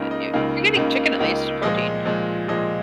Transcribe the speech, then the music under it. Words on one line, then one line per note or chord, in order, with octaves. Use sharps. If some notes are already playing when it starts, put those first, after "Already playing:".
Eh u You're getting chicken, at least, protein.
Already playing: C#2 C#3 A#3 D#4 A#4
D#5
C#2 C#3 A#3 D#4 F5
C#2 C#3 A#3 D#4
C#2 C#3 A#3 D#4
A#2 F3 G#3 D#5
A#2 F3 G#3
A#2 F3 G#3 D#5